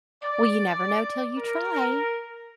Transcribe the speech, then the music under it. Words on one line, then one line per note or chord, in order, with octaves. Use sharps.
"Well, you never know till you try."
D5
A#4